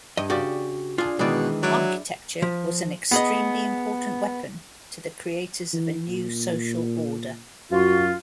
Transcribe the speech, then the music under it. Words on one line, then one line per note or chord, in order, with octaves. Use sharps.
Architecture was an extremely important weapon to the creators of a new social order.
G2 D#5
C#3 F#4 G4 D5
D4 F4 G#4
B2 D#3 E3 G#3 G#4 D5
F#3 E4 D5
F3
B3 G#4 D#5
E3
A#2
F#2 F4 F#4